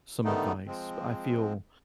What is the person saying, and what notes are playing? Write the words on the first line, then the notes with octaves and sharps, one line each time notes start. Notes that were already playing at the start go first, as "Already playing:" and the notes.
some advice, I feel
D3 D#3 G3 A3 B3 D#4
F3 G#3 C4